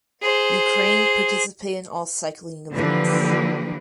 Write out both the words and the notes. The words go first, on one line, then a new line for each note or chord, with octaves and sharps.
Ukraine participated in all cycling events.
G#4 C5
D3 E3 F3 A#3 G4 B4